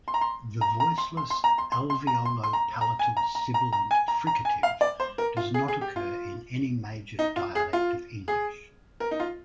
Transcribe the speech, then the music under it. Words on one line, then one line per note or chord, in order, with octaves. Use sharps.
The voiceless alveolo-palatal sibilant fricative does not occur in any major dialect of English.
C6
A#5
C6
A#5
A#5
C6
C6
C6
A#5
C6
C6
C6
A#5
C6
C6
A#5
A#5
G#5
A#5
A#5
A#5
A#5
G#5
A#5
A#5
G#5
F5
D5
C5
A#4
F4
G#4
G#4
G4
F4
D#4
F4
G#4
F4
G#4
A#4
D#4
F4